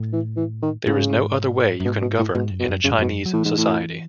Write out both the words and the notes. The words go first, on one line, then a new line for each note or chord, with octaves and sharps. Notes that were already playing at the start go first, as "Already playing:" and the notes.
There is no other way you can govern in a Chinese society.
Already playing: A2
E3
E3
D#3
G#2 C#3
F#2
G#2 B2
B2
A2
G#2 B2
F#2
B2
F#2
F#2 C#3
G#2
F#2 B2
F#3
A2 E3
G#2
A2